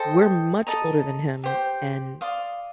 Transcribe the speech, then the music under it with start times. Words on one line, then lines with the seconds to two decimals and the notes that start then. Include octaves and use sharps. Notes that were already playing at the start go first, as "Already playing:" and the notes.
we're much older than him, and
Already playing: A4 C5 D#5 G5
0.67 A4 D#5 A#5 D#6
1.44 G4 C5 G5
2.21 D5 F5 C6 D#6